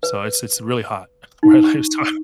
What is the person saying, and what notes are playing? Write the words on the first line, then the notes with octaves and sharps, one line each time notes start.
so, it's it's really hot where I live, so
B4
D#4
C#6